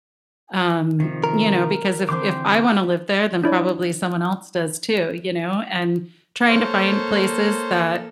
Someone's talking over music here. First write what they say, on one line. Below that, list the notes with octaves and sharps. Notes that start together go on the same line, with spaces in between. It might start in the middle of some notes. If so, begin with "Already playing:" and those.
um, you know, because if if I wanna live there, then probably someone else does too, you know, and trying to find places that
C3 D#3 F3
A#4
D3 E3 C4 G5 C6 D6
D4 E4 C#5 D5
A#3 A4 C5 C#5